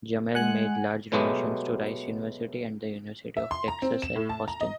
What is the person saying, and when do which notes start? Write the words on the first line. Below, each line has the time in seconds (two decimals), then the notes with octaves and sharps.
Jamail made large donations to Rice University and The University of Texas at Austin.
0.35 G#3 F#5 G#5 F#6
1.12 B2 F#3 G#3 A3 B3 G4
3.37 E5
3.51 C6
3.68 A#5
3.82 C4
4.02 E7
4.16 A2
4.29 A5
4.48 A#5
4.61 D#5